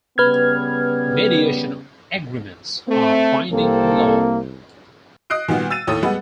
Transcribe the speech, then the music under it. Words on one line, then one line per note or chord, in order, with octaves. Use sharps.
Mediation agreements are binding in law.
C#3 G3 B3 B4 F6 G#6
A3 C4
C2 A#3 C4 A4
D#5 D#6 F#6 C7 D7
A#2 D#3 G3 B3 F#4
E6 A6 D#7
D#2 A2 A4 C#5 D#6
G3 G#3 B3 F#5 B5